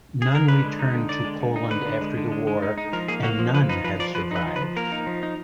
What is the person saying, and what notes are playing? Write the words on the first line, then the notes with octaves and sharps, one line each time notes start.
None returned to Poland after the war, and none have survived.
G#4
A#4
D3 B4
G#3
D#4
D3
D3 D5
G#3
D3
D#4
D3 B4
D3
G#3
D3
G#3
G#3
D#4
D#4
F3 A#4
A#3 G#4
A#3 F#4
F3
F3 B4
D#4 B4
F3 B4
F3 D5
F3 B4
D#4 B4
F3
B4
F3
A#3 A#4
D#4
F3
D#4